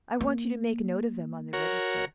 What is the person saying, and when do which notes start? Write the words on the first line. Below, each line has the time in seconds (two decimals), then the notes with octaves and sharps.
I want you to make a note of them on the register.
0.21 A#3
1.53 F#4 A#4 C#5